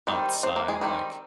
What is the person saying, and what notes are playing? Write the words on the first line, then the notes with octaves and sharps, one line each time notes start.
outside, like,
D#3 G3 C4 D#4
C4 C5
A#3 A#4
G#3 G#4
D#3 G3 C4 D#4